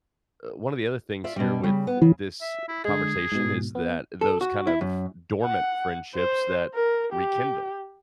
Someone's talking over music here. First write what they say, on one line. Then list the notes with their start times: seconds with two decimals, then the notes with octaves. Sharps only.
one of the other things here with this conversation is that those kind of dormant friendships that rekindle.
1.24 F4 D5 E5
1.36 B2 G3
1.64 C#3 G3
1.87 B3
2.02 C#3 E3
2.41 E5
2.68 E4
2.85 D3 G#3 G#4
3.32 G#2 B2
3.75 B3
4.21 A4
4.41 F#4
4.67 E4
4.81 F#2
5.44 F#5
6.15 C5
6.75 A#4
7.13 G4